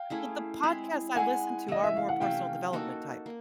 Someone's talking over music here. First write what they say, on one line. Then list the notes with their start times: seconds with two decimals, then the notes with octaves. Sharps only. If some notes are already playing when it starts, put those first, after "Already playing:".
Well, the podcasts I listen to are more personal development type
Already playing: F5 G5
0.10 A3 C#4 E4 G#4
0.63 G#3 C4 E4 G#4
1.16 G#3 C4 E4 G#4 F#5 G#5
1.68 C3 E3 A3 C#4 D#5
1.84 E5
1.97 F5
2.09 F#5
2.20 C3 E3 A3 C#4 F5 G5
2.73 A#3 D#4 F#4 A4
3.26 A#3